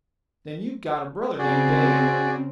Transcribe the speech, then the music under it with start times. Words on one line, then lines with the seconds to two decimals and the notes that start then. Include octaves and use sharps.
"Then you've got a brother named Dave?"
1.39 C#3 C4 F#4 G#4 D5